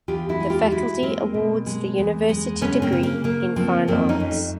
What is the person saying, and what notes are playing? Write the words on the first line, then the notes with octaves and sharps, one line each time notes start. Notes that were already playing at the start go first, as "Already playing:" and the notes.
The faculty awards the University Degree in Fine Arts.
E2 F4 G4
E4 F#4
G#3
F4 G4
E2 E4 F#4
G#3 A#3 C4
B2
G#3
E2
G#3
C#3 B3 C#4
A#3 C4
C#3
A#3
C#3 A#3
F3 A#3 C4
F2 A#3 C4
C#4 D#4
F2
A3